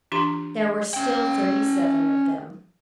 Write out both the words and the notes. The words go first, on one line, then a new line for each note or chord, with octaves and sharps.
There were still thirty-seven of them.
E3 D4 F4 G4 A#5 C6
C#4 G5